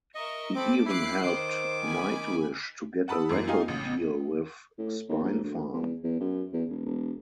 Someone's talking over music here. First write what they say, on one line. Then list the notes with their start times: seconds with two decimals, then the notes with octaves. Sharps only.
He even helped Nightwish to get a record deal with Spinefarm.
0.15 A#4 D#5 E5 C#6
0.55 C4 A4 B5 D6
0.86 E4 D6 F#6 C7
1.23 D#3 C5 D6
1.84 G#5 B5
3.08 F#5 A5 B5 D#6 E6
3.29 F#2 E3 A#3 C7
3.48 D#4 F4 G4 F5 G#5
3.68 A1 C#3
4.78 A2
5.09 D#2
5.24 A#1
5.44 D2
5.73 E2
6.04 E2
6.20 F#2
6.53 E2
6.70 E1
6.86 E1